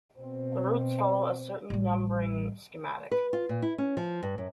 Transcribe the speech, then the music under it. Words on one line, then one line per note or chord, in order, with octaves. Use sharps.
The routes follow a certain numbering schematic.
B2 C4
A1 G3
B4
F4
A#2
E4
C#4
F3
G2
F#2